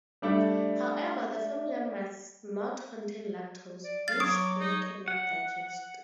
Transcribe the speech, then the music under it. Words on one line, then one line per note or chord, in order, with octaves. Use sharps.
However, the formula must not contain lactose, which birds cannot digest.
G3 A3 D4 A4 D5 E5
D5
F#3 F5 A6
C#5 D6 D#6
D#4
F#5